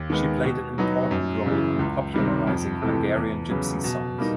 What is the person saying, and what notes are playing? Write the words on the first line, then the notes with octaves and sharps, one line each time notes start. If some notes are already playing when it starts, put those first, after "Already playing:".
She played an important role in popularizing Hungarian gypsy songs.
Already playing: D#2
D#3 G#3 B3
B2
F#3 B3 D#4
F#2
C#3 E3
C#2
C3 D#3 G3
F2
C3 E3 A3
E2
C#3 F#3 B3
B2
G3 A#3 D#4